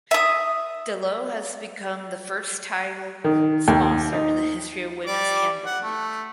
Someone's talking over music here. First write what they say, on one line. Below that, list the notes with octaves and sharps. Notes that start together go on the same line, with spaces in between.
Delo has become the first title sponsor in the history of Women’s Handball League.
E5 D#6
D#3
D#2
D#4
G3 D5 D6
F#5
A3